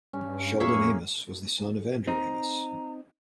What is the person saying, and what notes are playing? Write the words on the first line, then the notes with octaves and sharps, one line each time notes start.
Sheldon Amos was the son of Andrew Amos.
G2 C#4
F2 A#3 G#4 E5 C#6
C4 D#4 A#5